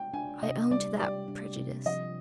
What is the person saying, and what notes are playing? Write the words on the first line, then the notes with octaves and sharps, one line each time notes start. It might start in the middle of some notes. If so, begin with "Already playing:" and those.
I own to that prejudice.
Already playing: G5
D4 G#5
C3 D#5
G3 D5
G4 D5
D4
C3
F3 D#5